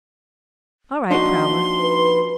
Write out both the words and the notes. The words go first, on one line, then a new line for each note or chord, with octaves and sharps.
"All right, Prowler."
F3 A#3 D4 D#4 F#4 C6
B4